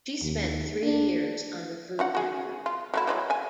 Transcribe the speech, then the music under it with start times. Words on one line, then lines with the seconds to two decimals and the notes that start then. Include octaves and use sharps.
She spent three years on the Food Network.
0.22 D#2
0.84 D4
1.99 C#4 D#4 F#5
2.15 F#4 G#4
2.66 F4
2.94 F#3 A3 E4
3.07 E3 F#3 G#3
3.30 E5 G#5